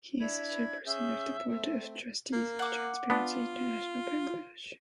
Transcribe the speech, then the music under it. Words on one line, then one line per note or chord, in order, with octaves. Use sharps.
He is the chairperson of the Board of Trustees of Transparency International Bangladesh.
D4 E4 B5 G#6
C#4 G#4 E5 G6
A3 C4
A#3
F#5 D6
B3 D4 F4